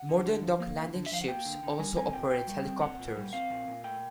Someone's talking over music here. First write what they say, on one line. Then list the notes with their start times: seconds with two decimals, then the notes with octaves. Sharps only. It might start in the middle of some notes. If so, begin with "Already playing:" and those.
Modern dock landing ships also operate helicopters.
Already playing: F#5
0.09 D3
0.26 D3
0.43 F3
0.60 A#3
0.77 D3
0.94 D3
1.06 E5
1.12 F3 F5
1.21 F#5
1.28 A#3 G5
1.45 D3
1.63 D3
1.79 G3 G#5
1.96 C4 G#5
2.13 A#2 G5
2.30 A#2 G5
2.47 G3
2.64 C4
2.82 A#2 F#5
2.99 A#2
3.17 G3
3.33 C4 F5
3.50 A#2
3.68 A#2
3.84 A3 G5